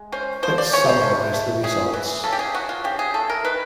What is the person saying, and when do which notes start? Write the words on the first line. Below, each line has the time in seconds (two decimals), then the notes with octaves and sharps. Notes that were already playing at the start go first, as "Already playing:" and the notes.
Let's summarize the results.
Already playing: G#3
0.12 C#4 C5
0.43 F3 C5
0.58 D5
0.73 C#4 C#5
0.89 C5
1.03 A3
1.33 A3
1.63 C#4 G#4
1.93 E3
2.24 C#3 A4
2.33 G4
2.39 G#4
2.54 F#3 F#4
2.69 F4
2.84 C#3 G4
2.99 G#4
3.14 A3 A4
3.30 A#4
3.44 D#4 B4